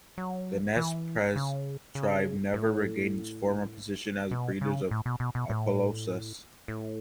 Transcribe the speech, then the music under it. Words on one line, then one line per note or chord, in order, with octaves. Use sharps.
The Nez Perce tribe never regained its former position as breeders of Appaloosas.
F#3
E3
C#3
C#3
A2
B2
C#3
A2
B2
B2
B2
A2
A2